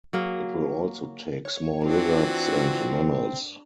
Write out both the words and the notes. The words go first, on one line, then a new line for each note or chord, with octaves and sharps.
It will also take small lizards and mammals.
F#3 A#3 G#4
C#5
E3 C4 D4 F4 F#4